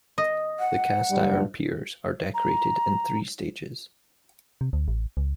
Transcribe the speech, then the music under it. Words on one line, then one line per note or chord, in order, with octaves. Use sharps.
The cast iron piers are decorated in three stages.
D#5
F#5
G2
A#5
C3
D2
A1
C#2